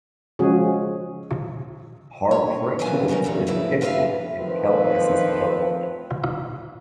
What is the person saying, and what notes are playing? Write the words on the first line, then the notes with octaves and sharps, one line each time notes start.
Harbor Freight Tools is headquartered in Calabasas, California.
C#3 F3 G#3 C#4 F#4 G#4
C#5
D#3 E3 B3 F4 G#5
C#3 G3 C#4 D#4 A#4
E2 A#2 D3 G3
F2 A2 C#3 E4 B4
F4 F#4 B4 C5 E5 F5
D#3 F3 A3 C4 F4 B4